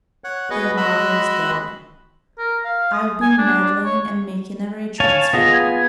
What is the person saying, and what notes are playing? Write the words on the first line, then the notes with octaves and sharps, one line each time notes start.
Their mother is dead.... I've been meddling and making arrangements for them.
C#5 F#5 F#6
B3 F#4 G#4 B4 D#5 F#5
G#3 F#4 D#5 B5 E6 F#6
A#4
F5
D#6
G#5
D4
C#5
C#5 F5 G#5 A5
B3 F4 G#4 D#5
G#5